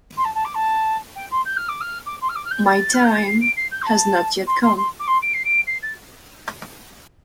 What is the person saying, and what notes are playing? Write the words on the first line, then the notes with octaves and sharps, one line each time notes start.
My time has not yet come.
C6
A5
A5
D6
A5
G5
C6
G6
F6
D6
F6
D6
C6
F6
D6
F6
G6
A6
F6
G6
A6
C7
D7
C7
G6
C6
A5
C6
C6
C6
D6
C6
D7
C7
D7
C7
A6